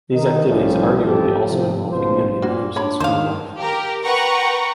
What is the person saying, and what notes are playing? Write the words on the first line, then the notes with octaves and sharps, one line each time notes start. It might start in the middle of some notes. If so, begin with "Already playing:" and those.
These activities arguably also involve community members in school life.
D#3 D#4
C2 A2 F3 G3 A3 C#4
A1 F2 A#2 G4 A4
D#2 A2 C3 F3
G#1 C#2 B2 D#3 F3 C5
A#2 A#3 F#4
D4 C#5 B5
D#3 D#4 C5 F5
G4 A#4
B4 F#5 G5 A#5 C#6